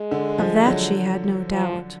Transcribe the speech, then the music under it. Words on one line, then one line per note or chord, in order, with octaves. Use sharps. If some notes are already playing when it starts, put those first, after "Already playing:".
Of that she had no doubt.
Already playing: G#3
D3
F3
D3 F#3
F3